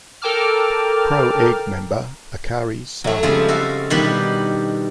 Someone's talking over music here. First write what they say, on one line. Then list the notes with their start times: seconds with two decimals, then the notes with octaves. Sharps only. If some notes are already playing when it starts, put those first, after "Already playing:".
Pro Egg member Akari Saho.
0.22 A4 A#4 G5 A5 D6 F6
3.04 F#3 A3
3.23 C#3 F3 G3 G#3 C4
3.48 F#4 A4 E5 F5
3.90 B2 D#3 G3 D4 G4